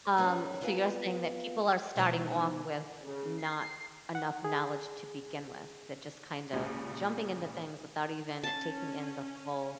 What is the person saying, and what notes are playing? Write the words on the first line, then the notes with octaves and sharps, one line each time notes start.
Um, so you're saying that people are starting off with not enough knowledge to begin with, they're just kind of jumping into things without even taking in the full
G#2 G3 C#4 G#4 A#4 B4
B3 C4 F4 B4 F5 G#5
B2 D#3 G#3 D#4 C5 A5
C#3
C7
F#5
G#4
G#1 C#2 A#2 C#3 G3
C#4 A5